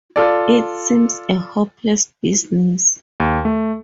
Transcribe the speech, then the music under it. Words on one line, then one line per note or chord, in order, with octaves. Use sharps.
It seems a hopeless business.
F4 A4 D5
D#2
A3